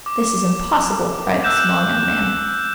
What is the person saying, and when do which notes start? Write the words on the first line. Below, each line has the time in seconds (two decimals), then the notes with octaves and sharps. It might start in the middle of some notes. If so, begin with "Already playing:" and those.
"This is impossible!" cried the small young man.
0.06 D6
1.44 E6 F#6 G6 E7